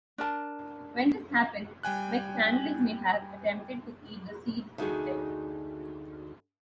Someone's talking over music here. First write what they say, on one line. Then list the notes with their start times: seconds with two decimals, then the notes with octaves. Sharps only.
When this happened, McCandless may have attempted to eat the seeds instead.
0.18 D4 A#4 A5
1.83 G3 G5 G#5 F#6
4.78 D2 D#4 F#4 G#4